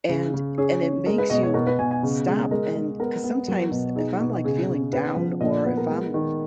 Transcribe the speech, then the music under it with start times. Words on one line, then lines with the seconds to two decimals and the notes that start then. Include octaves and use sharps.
and and it makes you stop and 'cause sometimes, if I'm, like, feeling down, or if I'm,
0.09 C#3
0.34 C#3
0.58 C#4 G#4
0.82 C#4
1.06 G#3 A#4
1.18 B4
1.30 B2 D#5
1.43 C#5
1.54 B2 A#4
1.67 B4
1.79 B2 G#5
1.91 G#5
2.03 C#3
2.26 G#3 G#4
2.51 G#3 A#4
2.75 G#3
3.00 B3 A#4
3.24 B3
3.48 F#3 A#4
3.71 B2
3.96 D#4 G#4
4.20 B2
4.44 C#3 G#4
4.68 C#3
4.93 B3 B4
5.16 F3
5.40 A#2 D#5
5.65 B3 B4
5.77 A#4
5.89 G#3
6.14 D#3